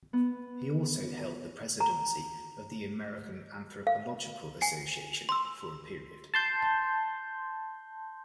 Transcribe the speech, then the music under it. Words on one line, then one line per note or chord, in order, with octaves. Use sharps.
He also held the presidency of the American Anthropological Association for a period.
B3
A#5
F5
G#5 C7
C6 E6
A5 C6 G6